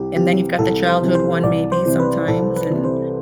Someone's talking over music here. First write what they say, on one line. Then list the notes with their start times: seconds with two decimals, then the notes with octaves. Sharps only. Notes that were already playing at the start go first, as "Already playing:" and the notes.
and then you've got the childhood one maybe sometimes and
Already playing: C2 G4
0.17 C3 E3 G4
0.59 C2 A4
0.87 C5
1.01 C3 E3
1.15 C5
1.43 C2 D5
1.72 C5
1.86 C3 E3
2.00 B4
2.28 C2 A4
2.56 B4
2.70 C3 E3
2.85 C5